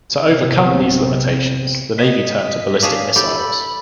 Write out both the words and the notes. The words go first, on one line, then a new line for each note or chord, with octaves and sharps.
To over come these limitations, the Navy turned to ballistic missiles.
A#1 C3 B3
D#5 B6
D4 G#4 C#5 F5
G4 A4 B5